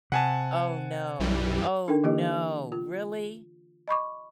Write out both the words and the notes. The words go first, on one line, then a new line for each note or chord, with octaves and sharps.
Oh, no. Oh, no, really?
C3 F#5 G#5 A5
B1 F#2 E3 G3
D4 D#4 A4 A#4 G5
D3 E3 A#3 E4 G4 D#5
F4
D#5 B5 C#6 D6